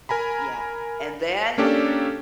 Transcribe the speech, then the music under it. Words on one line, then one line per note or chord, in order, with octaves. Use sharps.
Yeah, and then,
A#4 G#5 A#5 B5
A#3 C#4 D4 G4 A4